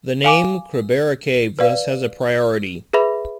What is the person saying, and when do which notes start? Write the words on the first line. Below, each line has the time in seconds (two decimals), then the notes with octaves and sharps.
The name "Krubera Cave" thus has a priority.
0.24 F5 G#5 D6
1.59 B4 D5 F5
2.93 G#4 B4 E5 B5